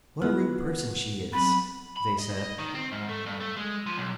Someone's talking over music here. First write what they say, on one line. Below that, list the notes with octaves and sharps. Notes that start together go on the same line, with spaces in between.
"What a rude person she is!" they said.
F3 B3 E4 F4
F#3 C4 B5
B5
D#5
D#3
C4
G#2
A3
G2
A3
G#3
F3
B1